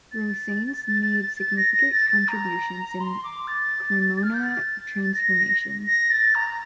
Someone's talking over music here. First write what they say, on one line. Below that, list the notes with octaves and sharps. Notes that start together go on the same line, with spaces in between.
Rosanes made significant contributions in Cremona transformations.
A6
A6
A6
A6
A6
A#6
A#6
A6
A6
A#5
C6
D6
A6
F6
G6
A6
A#6
A#6
A6
A#5